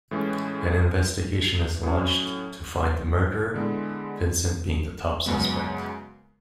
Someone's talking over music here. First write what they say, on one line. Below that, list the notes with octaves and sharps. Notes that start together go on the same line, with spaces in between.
An investigation is launched to find the murderer, Vincent being the top suspect.
A2 E3 G#3 C#4
A2 F#3 C#4
D3 G#3 B3 E4
F#2 C#3 G#3 B3